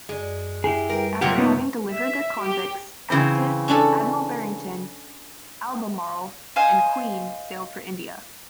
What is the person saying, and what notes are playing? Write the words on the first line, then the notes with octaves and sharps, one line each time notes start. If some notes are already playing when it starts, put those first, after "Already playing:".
After having delivered their convicts, "Active", "Admiral Barrington", "Albemarle", and "Queen" sailed for India.
F#2 G#3 D5
E4 G4 G#4
G3 A#4 B4 G5
C3 F#3 A3 A#3 F4 G4 F#5
B3 C#4 D#4
E5
G4
C#3 E3 C4
C#4 D4 A4
C5 D#5 F5 G#5